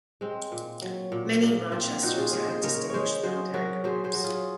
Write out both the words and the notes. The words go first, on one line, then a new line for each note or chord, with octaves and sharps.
Many Rochesters had distinguished military careers.
G#3 C4
A#2
F#3
A#2
A#2 A#3
F3 C4
F4
A#2 D#4 F#4
F4 G#4
G#3 F4 G#4
G#4 C5
C#3 A#4 C#5
G#3 G#4 C5 C#5
F#3 G#4 C5
F#3 F#4 A#4
F#3 G#4 C5
G#4 C5
F#3
F4 G#4